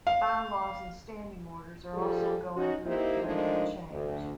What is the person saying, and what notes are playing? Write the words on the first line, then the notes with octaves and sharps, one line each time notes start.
The Bye-Laws and Standing Orders are also going through a period of change.
F5
F3 G3 F4 G#4 A4
C#4 D#4 F#4
A#3 C4 D#4 E4 G4
D#3 F3 G#3 A3 D4
D2